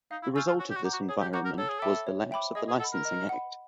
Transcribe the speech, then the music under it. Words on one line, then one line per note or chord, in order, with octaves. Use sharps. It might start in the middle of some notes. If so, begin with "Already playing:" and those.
The result of this environment was the lapse of the Licensing Act.
D#4 F5
E4
F4 G#5 C#6 E6 G6
F4
F#4 C#5
G4
F#4
F#5 A#5 D6 G6
F#4
G#4 C#5
G4
F#4 F#5 A#5 D6 G6
A#4
A4 C#5
G#4
A4 E5 G5 B5 D6
C#5
E5 G5 B5 D6
G#4 D#5
G#4
A4 F#5 B5
A#4
D#5
F#5 B5